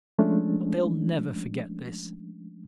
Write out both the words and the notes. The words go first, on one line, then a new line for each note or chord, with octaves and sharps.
But they'll never forget this.
F3 G#3 A3 C#4 D4